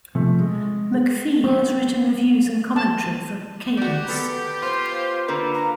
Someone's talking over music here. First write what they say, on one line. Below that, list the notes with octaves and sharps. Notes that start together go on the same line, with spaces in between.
McPhee has written reviews and commentary for "Cadence".
C3 F3 A3
G#3
C4
A5
F#4 G4 D5
B3 A4
F4 C5
D3 A#3 B4
A#5